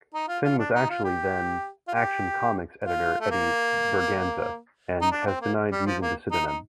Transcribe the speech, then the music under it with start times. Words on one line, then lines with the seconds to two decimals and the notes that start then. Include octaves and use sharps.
Finn was actually then-"Action Comics" editor Eddie Berganza, and has denied using the pseudonym.
0.14 D#4
0.28 F4
0.44 F4
0.58 D4
0.75 D#4
0.90 F4
1.05 G4
1.88 F4
1.94 G4
2.84 F4
3.20 A3
3.30 A#3
5.01 D#4
5.12 D4
5.26 C4
5.41 A#3
5.72 G3
5.86 F3
6.02 A#3
6.32 D#4
6.46 D#4